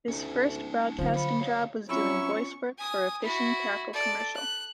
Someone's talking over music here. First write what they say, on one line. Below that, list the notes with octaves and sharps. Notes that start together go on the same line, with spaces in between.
His first broadcasting job was doing voice work for a fishing tackle commercial.
D2 C#4 D#4
D3 F3 F#3
A#3 B5
D2 F#3 F5
F#3 C4 C#4 E4 F4 C#6 E6
G#5 D#6
E4 F#4
A4 D5
F#6